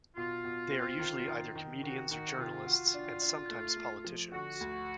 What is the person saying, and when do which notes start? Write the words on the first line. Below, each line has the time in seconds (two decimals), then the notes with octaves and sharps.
They are usually either comedians or journalists, and sometimes politicians.
0.16 B2 F4
0.44 B2
0.72 C4
0.99 D#3
1.28 D#3
1.55 D#3
1.83 D#3 F#4
2.10 D#3 F#4
2.38 C3 F4
2.67 F#4
2.93 D4
3.21 D4
3.49 A3
3.76 A3
4.05 F3
4.32 D3 F#4
4.61 D2